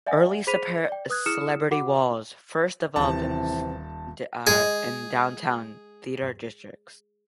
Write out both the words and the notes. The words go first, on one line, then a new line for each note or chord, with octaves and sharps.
Early celebrity walls first developed in downtown theater districts.
D5 E5 F#5 G#5
G#4 C5 B5 B6 D#7 F7
D5 G5
B4 D#6 F#6 G#6
E4 G#4 D#6 F6 C#7 E7
F#4 F#5 D6
D#1 C3 E3 A5
G#3 G#4